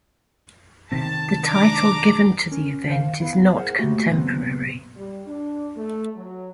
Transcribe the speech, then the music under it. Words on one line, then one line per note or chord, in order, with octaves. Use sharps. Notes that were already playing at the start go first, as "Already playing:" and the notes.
The title given to the event is not contemporary.
C3 D#3 C4 A5
D4 A#5 D6
C#4 A#4
D#3 C5 F5
B3 E4 F5
G#4 A#4 C5 E5 F#5
A3 A#3 F#4 G4
C#2 A#2 F#3 B3 C4
G3
D4
A3
F#3